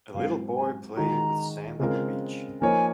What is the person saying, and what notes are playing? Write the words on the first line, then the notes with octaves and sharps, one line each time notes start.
A little boy playing with sand on the beach.
G#2 F#3 C4 F5
G#5
D#3 G#3 D#4 F#4 A#5
C#3 G#3 C4 F4 A#4
F3 A#3 D#4 A#4 C#5 G#5